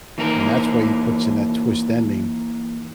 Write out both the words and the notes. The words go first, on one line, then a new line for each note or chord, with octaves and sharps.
and that's why he puts in that twist ending
E3 A#3 D#4 A#4